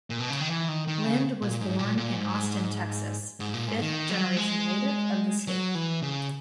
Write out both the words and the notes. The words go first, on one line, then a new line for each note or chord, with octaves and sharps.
Lind was born in Austin, Texas, a fifth-generation native of the state.
A#2
B2
C#3
D#3
E3
D#3
D#3
C#3
A#2
G#2
A#2
A#2
G#2
G#2
A#2
G#2
D#3
F#3
G#3
F#3
E3
C#3